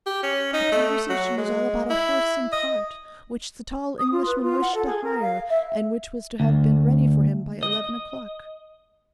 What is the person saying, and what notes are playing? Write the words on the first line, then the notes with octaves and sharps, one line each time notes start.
"The conversation was all about a horse and cart, which the tall Englishman wished to hire, and which was to have been ready for him by eleven o'clock."
G4
C#4
D#4
A3
F#3
G#3
E4
D#5
D#6
F4
B4
F4
F#5
A4
G#4
A#4
F5
E5
D2
D#5